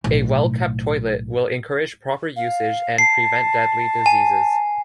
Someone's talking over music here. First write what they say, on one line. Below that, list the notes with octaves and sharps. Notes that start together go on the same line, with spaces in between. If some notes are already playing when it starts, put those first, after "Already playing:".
A well-kept toilet will encourage proper usage and prevent deadly diseases.
B1 A2
F5
A5 C7
G#5